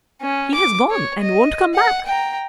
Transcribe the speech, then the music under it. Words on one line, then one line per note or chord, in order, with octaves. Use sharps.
He has gone, and won't come back!
C#4
D6
C#5
D#5
F#5
G5 A#5